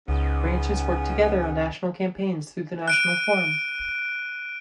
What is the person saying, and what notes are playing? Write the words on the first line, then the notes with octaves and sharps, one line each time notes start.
Branches work together on national campaigns through the national forum.
C#2 G#2 B3 C#4
F#6 D7 D#7